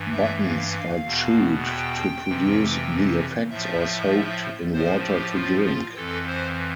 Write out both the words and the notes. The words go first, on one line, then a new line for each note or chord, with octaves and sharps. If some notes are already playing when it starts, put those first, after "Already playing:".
Buttons are chewed to produce the effects or soaked in water to drink.
Already playing: G2 E3
E5
F5
F5
E2 B2
G5
F2 C3 E3
A2 F3 E5
A2 F3 C5
G4
F4
F4
F2 E3 A4
C5